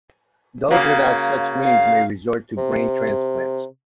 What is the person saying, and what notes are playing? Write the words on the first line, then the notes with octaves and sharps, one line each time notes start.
Those without such means may resort to brain transplants.
C#3 A#3 F#4
F5
C3